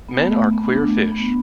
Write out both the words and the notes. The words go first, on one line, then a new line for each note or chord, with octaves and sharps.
Men are queer fish.
B3
A3
A3
B3
D4
A3
A3
B3